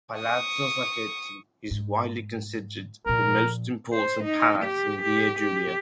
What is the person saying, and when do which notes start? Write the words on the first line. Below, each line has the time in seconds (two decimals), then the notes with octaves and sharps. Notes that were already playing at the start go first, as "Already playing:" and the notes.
Palazzo Sacchetti is widely considered the most important palace in Via Giulia.
0.19 C#6 D#6
1.71 G#2
3.06 A#2 F3 A#4
3.93 C5
4.24 D#4
4.64 G4
5.03 G4
5.39 G4